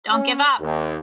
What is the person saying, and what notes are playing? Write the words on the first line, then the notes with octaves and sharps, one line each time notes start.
Don't give up!.
C#4
D#2